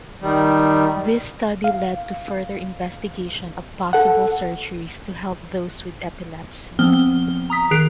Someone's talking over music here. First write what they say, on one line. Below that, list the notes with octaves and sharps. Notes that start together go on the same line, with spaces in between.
This study lead to further investigation of possible surgeries to help those with epilepsy.
D#3 G3
F5
A4 F#5
F3 B3 C4 F6 G7
A#5 D#6 B6
D#3 G#4 F#6 C7 D7 F7